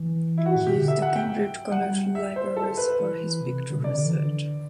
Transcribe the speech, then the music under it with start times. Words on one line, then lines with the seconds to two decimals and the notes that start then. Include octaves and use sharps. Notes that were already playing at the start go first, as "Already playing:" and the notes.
He used the Cambridge college libraries for his picture research.
Already playing: E3
0.38 E4
0.45 E3 F#4
0.56 A2
0.66 B2 G4
0.77 D3
0.88 E5
1.02 F#5
1.16 G5
1.72 G3 F#5
1.87 G3
2.15 E5
2.36 C5
2.57 A4
2.78 B4
2.99 E3
3.20 E3
3.41 C3
3.70 D3
3.77 B2
3.84 C3 D5
3.94 D3
4.05 E3
4.15 D3
4.26 D3